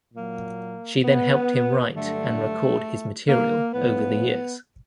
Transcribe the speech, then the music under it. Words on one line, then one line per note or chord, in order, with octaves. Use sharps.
She then helped him write and record his material over the years.
A#2 F#3 A#3
B3
G2 D3 F#3 A3
A#3
A2 F3 B3